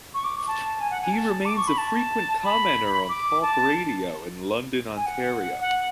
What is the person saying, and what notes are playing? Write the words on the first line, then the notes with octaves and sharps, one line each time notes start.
He remains a frequent commentator on talk radio in London, Ontario.
C#6
D6
C#6
A5
G#5
F#5
G#5
A5
D6
C#6
B5
A5
B5
D6
A5
G#5
F#5
F#5
F#5